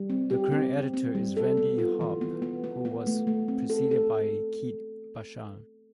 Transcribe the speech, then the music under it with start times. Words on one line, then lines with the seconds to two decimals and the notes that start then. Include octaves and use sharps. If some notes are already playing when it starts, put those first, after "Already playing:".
The current editor is Randy Harp who was preceded by Keith Bassham.
Already playing: G3
0.10 C4
0.31 G4
0.52 C4
0.73 C4
0.94 C4
1.15 G3
1.37 A4
1.57 B3
1.78 F4
2.01 E3
2.21 B3
2.42 B3
2.64 B3
2.85 B3
3.07 A3
3.27 A3
3.48 C4
3.70 A4
3.91 A4